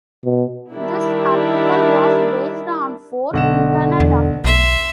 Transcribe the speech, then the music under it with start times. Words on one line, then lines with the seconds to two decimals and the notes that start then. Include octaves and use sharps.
This article was based on Ford internal documents.
0.24 B2
0.72 D#3 G3 D4 E4
3.33 B1 D3 F#5 E7
4.00 E2
4.44 B1 E5 C6